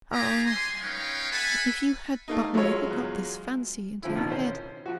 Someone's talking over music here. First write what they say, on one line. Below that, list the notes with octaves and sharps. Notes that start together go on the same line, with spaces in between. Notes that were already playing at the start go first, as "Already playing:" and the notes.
'Ah! if you had but never got this fancy into your head!
D#4 F4 G4 G#4 G#5 A#5
G#5 C6
C#4 D#4 B4 C#5 F5 G5
A4 E5 F#5 G#5 A5 B5
A3 A#3 D#4
F#3 G#3 E4 F4 C#5
E2
D3 F3 C4 E4
A1 B2 D#3
C#4 C5
F3 F#4